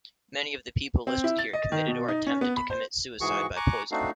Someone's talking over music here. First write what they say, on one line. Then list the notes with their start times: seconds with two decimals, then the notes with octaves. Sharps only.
Many of the people listed here committed or attempted to commit suicide by poison.
1.07 C4
1.24 E4
1.39 A6
1.53 D#5
1.72 D#3
1.88 B2
2.08 D#4
2.27 C#4
2.41 B3
2.57 B5
2.70 C5
3.21 G#2 E3 F#4 G#4 C#6
3.56 G#5 A#5 C#6 D6 F#6
3.91 A3 C4 D4 D#4 F#4 F5